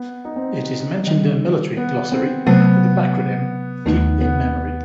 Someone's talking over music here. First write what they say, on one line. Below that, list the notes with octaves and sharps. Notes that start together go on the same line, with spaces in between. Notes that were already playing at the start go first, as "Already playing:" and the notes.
It is mentioned in a military glossary with the backronym "Keep In Memory".
Already playing: B3
D#4
C4
D#3 G3 D#4
B3
C4
C3 F#3 A3 B3
D#2 D#3 A3 B3 D#4
B3